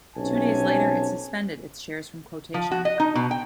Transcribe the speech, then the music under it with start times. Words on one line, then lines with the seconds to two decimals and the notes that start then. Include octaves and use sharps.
Two days later, it suspended its shares from quotation.
0.17 B1 C3 C#4 G#5 A5
2.54 F3
2.71 F#4
2.85 D#5
3.00 D#4
3.15 B2
3.31 G5